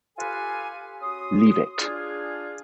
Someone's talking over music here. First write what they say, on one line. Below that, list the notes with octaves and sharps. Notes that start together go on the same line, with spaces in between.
Leave it.
F4 G4 A4 B4 F5 G#5
C#4 F#4 C6 D#6
D4 F4 G#4